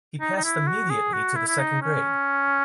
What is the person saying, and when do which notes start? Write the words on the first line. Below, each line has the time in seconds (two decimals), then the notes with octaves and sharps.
He passed immediately to the second grade.
0.20 D#4
0.37 D#4
0.44 E4
0.67 F#4
0.90 G#4
1.13 F#4
1.36 E4
1.47 E4
1.59 D#4
1.82 C#4